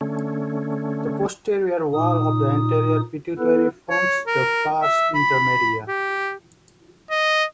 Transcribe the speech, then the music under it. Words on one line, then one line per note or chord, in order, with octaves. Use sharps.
The posterior wall of the anterior pituitary forms the pars intermedia.
D3 A3 C#4
A#2 D#4 D#6
B3 E4 A4 B4
C#5
A#4
E5
B5
G4
D#5